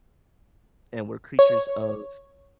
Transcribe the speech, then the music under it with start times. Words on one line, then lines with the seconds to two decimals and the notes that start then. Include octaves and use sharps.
and we're creatures of
1.39 C#5